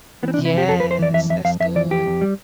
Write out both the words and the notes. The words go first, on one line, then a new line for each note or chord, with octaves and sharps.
Yes, that's good.
E3 B3
C4
D4
C3
E4
F2 G4
F2 A4
B4
F2
C5
E3 D5
F2 E5
F2 E5
F2 F5
F2 E5
E3 D5
F2 G4
F2
G3